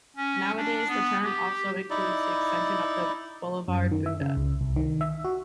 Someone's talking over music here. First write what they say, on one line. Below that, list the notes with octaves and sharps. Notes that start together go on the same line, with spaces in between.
Nowadays, the term also includes the extension of the boulevard Buda.
C#4
D4
B3
G4
D#4 E4 D5
F#2
D#3
E5
C#3
C#2
C2
D#3
E5
F#4